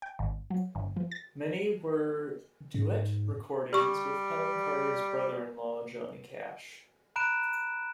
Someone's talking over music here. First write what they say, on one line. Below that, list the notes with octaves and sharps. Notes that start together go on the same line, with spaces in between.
Many were duet recordings with Helen Carter's brother-in-law Johnny Cash.
G5
G#1
F#3
G1
F3
A6
G#2
G3 G4 C#6
A#5 B5 F#6 D7 E7